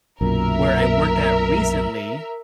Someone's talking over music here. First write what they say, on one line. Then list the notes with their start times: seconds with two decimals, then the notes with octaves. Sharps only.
where I worked at recently
0.21 B1 F#2 A#2 A#4 E5